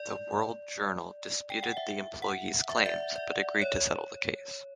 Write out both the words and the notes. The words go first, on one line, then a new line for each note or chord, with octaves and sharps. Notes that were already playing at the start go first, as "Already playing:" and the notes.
The World Journal disputed the employee's claims, but agreed to settle the case.
Already playing: D5
G5
F#5
E5
F#5
E5
D5
E5
D5
C#5